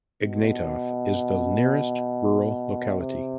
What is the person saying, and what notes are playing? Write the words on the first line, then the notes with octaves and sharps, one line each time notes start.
Ignatov is the nearest rural locality.
B2
C3